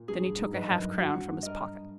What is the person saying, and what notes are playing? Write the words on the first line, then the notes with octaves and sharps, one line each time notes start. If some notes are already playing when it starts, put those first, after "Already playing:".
Then he took a half-crown from his pocket.
Already playing: A#2
G2 G#4
G#2
B4 D#5
F#2
G2 F#4
A#4 D#5